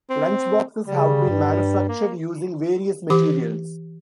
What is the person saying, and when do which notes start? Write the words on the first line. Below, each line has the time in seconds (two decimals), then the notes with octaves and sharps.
Lunch boxes have been manufactured using various materials.
0.10 C4
0.87 C#3 G3
1.29 G2
1.89 A#3
3.10 E3 G4 D6